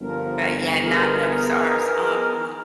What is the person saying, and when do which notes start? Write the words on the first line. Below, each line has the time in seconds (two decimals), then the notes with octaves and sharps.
M but, yeah, not notice ours are, uh
0.01 G1 G2 F3 A#4
0.86 B3 D#4 G#4 A#4